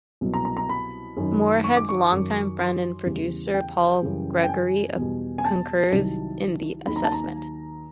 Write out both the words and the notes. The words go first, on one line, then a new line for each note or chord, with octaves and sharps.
Moorehead's longtime friend and producer Paul Gregory concurs in the assessment.
C2 B2 F#3
A#5
A#5
A#5
B5
F#2 D#3 F#3
C#6
D6
C#6
F#2 D#3 F#3
C6
E2 C#3 E3 G3
G5
F#2 C#3 E3 G3
G5
G#5
E2 B2 G3
G#5
A5
C2 C3 D#3 F#3
D#2 D#3 F#3 B5
A#5
A5
A#5